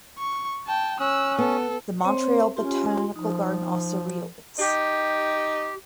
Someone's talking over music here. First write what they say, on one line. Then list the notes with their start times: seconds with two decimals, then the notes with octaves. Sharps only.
The Montreal Botanical Garden also reopens.
0.18 C#6
0.66 G5 A5
1.00 C#4 E6 F#6
1.38 B3 A4
2.01 C4 C5 C#5
2.56 C#4 F4 G4 C6
3.16 F3 D#4
4.59 D#4 G4